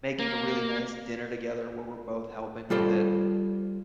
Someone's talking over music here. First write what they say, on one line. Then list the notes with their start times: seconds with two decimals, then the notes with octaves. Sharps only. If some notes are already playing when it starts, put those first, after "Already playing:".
making a really nice dinner together, where we're both helping with it.
0.19 A#3
2.70 G3 F4 A4 C5